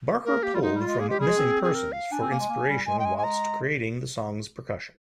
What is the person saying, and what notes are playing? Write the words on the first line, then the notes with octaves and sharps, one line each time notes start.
Barker pulled from Missing Persons for inspiration whilst creating the song's percussion.
A#3 A#4
A#3 G4
G3 F4
G#3 D#4
G3
F4
G#3
A#3 G#4
G#3 G4
G3 G#4
G#3
C4
G#4
A#4
F5
D4 G#5
C4
A#3
G#3
A#3
G3
G#3 G#5
G5
G#5
G#5
A#5